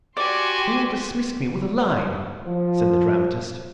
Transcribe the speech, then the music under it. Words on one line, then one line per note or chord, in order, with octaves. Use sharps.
"They all dismissed me with a line," said the dramatist.
F#4 G4 D5 G#5 C6
F3